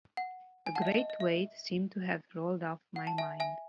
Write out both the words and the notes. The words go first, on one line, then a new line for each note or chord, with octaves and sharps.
A great weight seemed to have rolled off my mind.
F#5
G#5
F#5 A5
E5
D#5
D#5
D#5
E5
F#5
A5
E5 G#5
E5 G#5